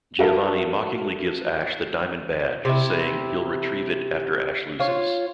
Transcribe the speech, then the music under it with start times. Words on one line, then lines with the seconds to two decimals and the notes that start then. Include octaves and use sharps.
Giovanni mockingly gives Ash the Diamond Badge, saying he'll retrieve it after Ash loses.
0.19 F#4 A4 A#4 E5 A5
2.65 C3 E4
4.80 F4 C#5